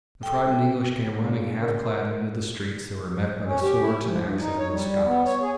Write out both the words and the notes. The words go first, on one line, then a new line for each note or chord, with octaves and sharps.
As the frightened English came running half clad into the streets they were met by the swords and axes of the Scots.
A4 G5
C#3
A#4
C#4
G4
E4
F3
G2
D#4
C#5
G3
B3
C#5
G#4